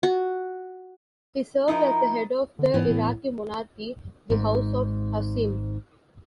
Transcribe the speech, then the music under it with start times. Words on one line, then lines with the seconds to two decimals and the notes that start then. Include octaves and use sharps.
He served as the head of the Iraqi monarchy-the House of Hashim.
0.03 F#4
1.68 F3 D#4 E4 A#4
2.59 D3
2.74 G#2 E3 B3
2.91 A2
4.30 G#1 G#2